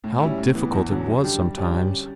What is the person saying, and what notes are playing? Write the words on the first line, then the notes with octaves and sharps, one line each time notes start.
How difficult it was sometimes.
A2
G3 C#4 E4
A2
E3 B3
E2
D3 F#3 C#4
F#2
D3 G3 D4 G4
G3
C#4 G4 D5